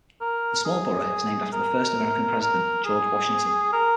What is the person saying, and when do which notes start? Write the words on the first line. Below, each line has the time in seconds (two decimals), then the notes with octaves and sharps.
The small borough is named after the first American president, George Washington.
0.20 A#4
0.65 G#4
1.52 A#4
2.41 A#4
2.84 G#4
3.73 A#4